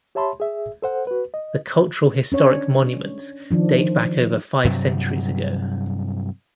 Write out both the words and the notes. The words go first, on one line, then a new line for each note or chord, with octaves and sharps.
The cultural-historic monuments date back over five centuries ago.
G4 C#5 E5 A5 B5 C6
G#4 E5
A4 C5 F#5
F#4 B4
D#5
C#4 D4 C#5
D#3 F3 D4
G2 C3 F#3 G3